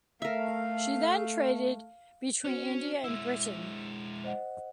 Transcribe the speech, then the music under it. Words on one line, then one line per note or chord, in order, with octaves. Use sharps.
She then traded between India and Britain.
A3 A#4 E5 F5
C#4 F#4 C5
G#3 E4 E6
C5 D#5 F#5